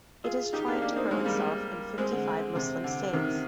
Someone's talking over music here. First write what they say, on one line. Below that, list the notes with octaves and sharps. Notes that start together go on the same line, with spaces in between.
It is trying to grow itself in fifty-five Muslim states.
F4 G#4
D#4 G4
A#3 D4
A#3 D4
C4 D#4
G#3 C4
G3 A#3
G#3 C4
D3
C3
D3
C3 D#3